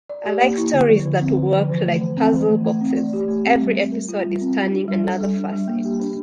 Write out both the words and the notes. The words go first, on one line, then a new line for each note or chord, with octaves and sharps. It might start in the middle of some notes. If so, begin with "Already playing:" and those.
I like stories that work like puzzle boxes, every episode is turning another facet.
D5
G4
A#3
E4
D3
F3
D3
C4
D3
F3
E3
A3
E3
C4
E3
A3
A3
C4
D5
G4
A3
C4
G3
C4
A#4
F4
G3
C4
G3
D4
G3
A4
G3
D4
G3
A#3
G4
D4